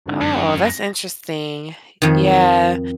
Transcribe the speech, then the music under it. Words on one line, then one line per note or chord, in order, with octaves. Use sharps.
Oh, that's interesting. Yeah,
G#1 D3 D#4
F#2
A#6
F2 D#3